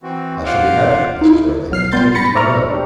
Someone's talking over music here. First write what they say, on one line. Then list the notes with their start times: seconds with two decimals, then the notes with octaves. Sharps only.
"I shall be happy, Mrs. Roylake, to take you to the mill."
0.03 E3 C4 F#4
0.46 F4 C5 F5 F#5 D6 F6
1.21 D#4 E4
1.70 B1 F#3 F6 C7
1.92 G3 B3 C6 G6 A6
2.15 B5 A6 A#6 C#7
2.35 C5 D5 E5 A#5 C#6 F6
2.70 D4 G4